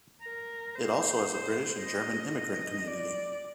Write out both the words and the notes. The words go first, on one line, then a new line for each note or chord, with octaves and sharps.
It also has a British and German immigrant community.
A#4
C5
D#5
D#5
D5